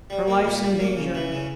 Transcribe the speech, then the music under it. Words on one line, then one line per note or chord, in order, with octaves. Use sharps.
Her life's in danger.'
G3
A#3
A#2
G3
A#3
C#3
E3
C#3